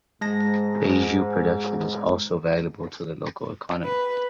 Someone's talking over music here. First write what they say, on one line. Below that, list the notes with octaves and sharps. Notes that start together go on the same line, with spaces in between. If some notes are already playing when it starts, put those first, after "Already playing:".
Baijiu production is also valuable to the local economy.
G#2 G#3 A5 A#6
B4